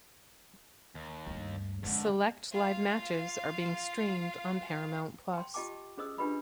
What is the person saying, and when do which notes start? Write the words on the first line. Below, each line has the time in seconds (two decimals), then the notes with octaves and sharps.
Select live matches are being streamed on Paramount Plus.
0.95 D#2
1.26 D2 G2
1.83 F2 D3 G#3 C#4
2.51 F4 F5
5.33 G5 C6
5.54 F4 G4 D#5 G5 A5 D6
5.97 C#4 G#4 C5 D#5 D#6 E6
6.18 D4 F4 G4 B4 D#5 B5